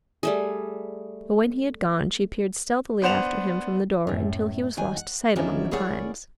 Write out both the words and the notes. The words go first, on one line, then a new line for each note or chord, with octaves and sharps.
But when he had gone she peered stealthily after him from the door until he was lost to sight among the pines.
G3 A3 G#4
B3 D4 C5 F#5 E7 F7
F#2 A2
D#3 F#3 G#5
F#5
D#3 F3 C#4 D4 E4 F#4
E4 G#4 A#4 C#5 D5 F#5